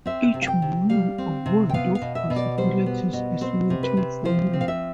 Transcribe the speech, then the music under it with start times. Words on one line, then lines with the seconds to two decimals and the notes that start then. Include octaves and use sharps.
Each morning, a world of possibilities is waiting for you.
0.06 C4 E5
0.34 C3
0.42 F5
0.47 G5
0.62 C3
0.90 G3 F5
1.18 C4
1.46 C3
1.69 G5
1.74 B3 F5
1.95 F5
2.01 B2
2.15 E5
2.30 B2
2.36 D5
2.58 G3 C5
2.86 B3
3.13 B2
3.41 C4 C5
3.70 C3
3.83 B4
3.97 C3
4.25 F3 C5
4.53 C4
4.61 F5
4.68 E5